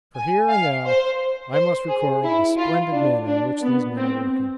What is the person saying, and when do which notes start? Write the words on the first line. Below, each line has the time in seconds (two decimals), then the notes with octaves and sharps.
For here and now I must record the splendid manner in which these men are working.
0.15 G#5
0.50 F5
0.85 C5
1.53 C5
1.88 G#4
2.24 E4
2.58 F4
2.92 D4
3.27 D4
3.62 B3
3.97 C4